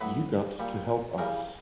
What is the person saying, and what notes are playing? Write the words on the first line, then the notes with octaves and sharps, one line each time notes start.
You got to help us.
A2 F#3 B4
A#2 G3
C#3 E3 G3 A#4